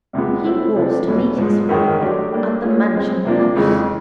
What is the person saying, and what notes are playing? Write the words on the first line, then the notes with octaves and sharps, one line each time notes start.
He was to meet his father at the Mansion House.
E2 C3 F3 G#3 B3
F#3 A3 C4 E4
C3 F3 A3 D4
E2 B2 F#3
G#2 F3 G#3
F#2 D#3 G#3
F#3 A3 D4 G4
G3 A#3 D4
G#3 C#4 F4 G#4
B2 G#3 C4
C3 F3 A#3 D4 F4
F2 C#3 E3 G#3